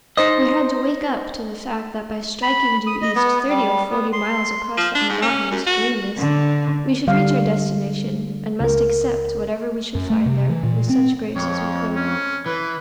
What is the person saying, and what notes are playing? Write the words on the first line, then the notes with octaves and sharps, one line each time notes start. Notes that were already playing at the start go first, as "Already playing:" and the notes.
We had to wake up to the fact that by striking due east thirty or forty miles across that monotonous Greenness, we should reach our destination, and must accept whatever we should find there, with such grace as we could.
D#4 C5 D#5
B5
D#6
D#5
B3
G3
B3
C6
F3
D4
G#2
C#4
F#2
F#4
D3
D3 G3 F5
C#2 A#4
F#2
A3
C3
E3
A#2
C4
F2 C#5
C#4
E3 B4